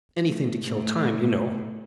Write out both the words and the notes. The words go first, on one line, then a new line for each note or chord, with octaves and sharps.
"Anything to kill time, you know."
A3
A2